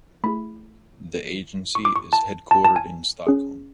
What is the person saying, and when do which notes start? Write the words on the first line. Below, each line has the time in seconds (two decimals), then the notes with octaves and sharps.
The agency is headquartered in Stockholm.
0.24 A3 E4 G#4 B5
1.75 C#6
1.85 D6
1.96 C#6
2.13 A5
2.51 A5
2.64 A5
2.76 G#5
3.27 C#4 G#4